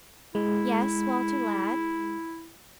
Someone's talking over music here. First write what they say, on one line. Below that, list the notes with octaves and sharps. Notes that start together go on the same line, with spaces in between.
"Yes, Walter, lad?"
G#3 E4